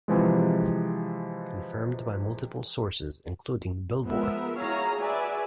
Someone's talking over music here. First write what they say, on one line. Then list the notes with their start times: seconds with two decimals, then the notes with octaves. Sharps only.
Confirmed by multiple sources including "Billboard".
0.08 C3 E3 F3 G#3
4.04 F3 G#3 B3 A#4 E5
4.56 E4 F#4 G#4 C#5 F5 A#5
4.99 F#4 G#4 B4 D5 E5 G#5